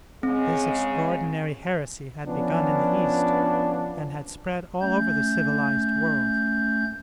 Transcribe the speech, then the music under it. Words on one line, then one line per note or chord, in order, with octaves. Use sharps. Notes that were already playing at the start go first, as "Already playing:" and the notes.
This extraordinary heresy had begun in the East, and had spread all over the civilized world.
C#3 G#3 C4
F3 B3 C#4 D4
A3 C#4 G6